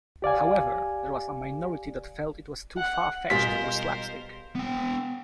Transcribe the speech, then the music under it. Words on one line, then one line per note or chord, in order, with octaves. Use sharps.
However, there was a minority that felt it was too far-fetched or slapstick.
G4 D5 F5 G#5
F#5
B2 G3 G#3 F4 A#4 C5 B6
B3 G5